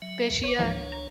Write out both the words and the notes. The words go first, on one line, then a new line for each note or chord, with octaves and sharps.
Did she uh
F#3 E5
G1 C#5 D6
C#2 G#2 E3 F3 D4 C#5
A#5